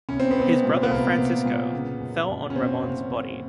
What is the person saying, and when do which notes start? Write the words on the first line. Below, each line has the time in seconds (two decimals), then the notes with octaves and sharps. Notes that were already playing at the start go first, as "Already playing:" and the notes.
His brother Francisco fell on Ramon's body.
0.09 C2 C#4
0.20 C4
0.31 B3
0.36 C2
0.42 C4
0.64 A#2
0.83 A#3
0.91 C2 B3
1.18 C2
1.45 A#2
1.73 C#3
2.00 F#2
2.28 F#2
2.50 C#4
2.55 F#1 C4
2.83 F#1
3.10 F#1